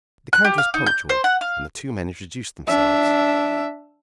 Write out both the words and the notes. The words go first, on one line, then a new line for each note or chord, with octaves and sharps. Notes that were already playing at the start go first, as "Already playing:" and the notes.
The count was punctual, and the two men introduced themselves.
F#6
G4
F5
D#4
G6
C5
F#5
F5
D4 E5